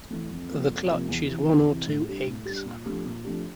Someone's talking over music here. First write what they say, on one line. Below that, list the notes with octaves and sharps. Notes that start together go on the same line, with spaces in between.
The clutch is one or two eggs.
E3 A3
F2
C3 F3 A#3
F2
C3 F3 A#3
E2
C3 E3
E2
C3 E3
A2
G3 D4
A2
G3 D4
A#2
F3 A3 D4 G4
A#2
F3 A3 D4 G4